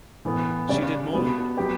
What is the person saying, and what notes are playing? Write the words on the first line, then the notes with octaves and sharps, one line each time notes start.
She did more than look.
A2 E3 B3
C#3 G3 C#4 D5
B2 G3 B3
F#3 B3 G4